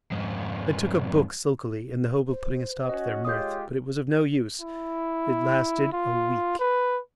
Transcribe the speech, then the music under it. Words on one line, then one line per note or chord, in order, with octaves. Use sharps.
I took a book sulkily, in the hope of putting a stop to their mirth, but it was of no use: it lasted a week.
F2 G#2
C5
C#4 F#4 D#5
G#3 F4 G4 C#5 D#6 G6
E4
F4
B4